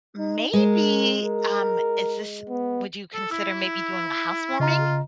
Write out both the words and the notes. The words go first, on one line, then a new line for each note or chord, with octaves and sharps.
maybe, um is this would you consider maybe doing a housewarming,
D#4
G#3 A#4
A#4
B3
A4
E4 E6
C#3 F4 D#5 A#5